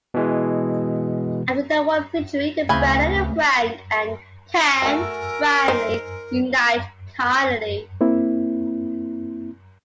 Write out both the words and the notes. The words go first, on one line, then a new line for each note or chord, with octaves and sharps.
After they won the victory, Brenda and Frank can finally unite carnally.
B2 E3 G#3
D2 C#3 E3 C4 B4 G#5
A3 F#4 A#4 G#5 A#5 E6
D#4 C5
A#3 C4 E4